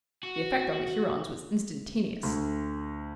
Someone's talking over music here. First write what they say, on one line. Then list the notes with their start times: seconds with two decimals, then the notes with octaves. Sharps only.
The effect on the Hurons was instantaneous.
0.23 F#4
2.23 D2